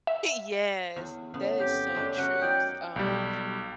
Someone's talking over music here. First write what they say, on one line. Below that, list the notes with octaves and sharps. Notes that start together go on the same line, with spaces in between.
yes. That is so true. Um,
E5
E2
E2 C#3 B3
F2 G4
F#2 A3 D4
F#3 C#4 A#4 F#5
D#4 D5 G5
B1 G3